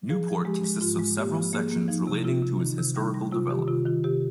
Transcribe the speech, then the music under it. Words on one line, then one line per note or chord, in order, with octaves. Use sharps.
Newport consists of several sections relating to its historical development.
F3 G#4
F3
G#3 G4
G#3
G#2 F4
G#3
A#3 G4
F3
A#3 G#4
A#3
F3 D#4
C3
C3 F4
C3
D#3 D#4
C3
G3 D#4
G3
C3 F4
D#3 G4
C3 F4
D#3 F4
C3 G4